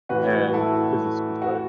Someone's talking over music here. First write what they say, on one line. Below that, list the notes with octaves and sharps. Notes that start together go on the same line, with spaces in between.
and because it's just, like
A1 A2 E3 F#4 B4
F#4
E4 A4
F#4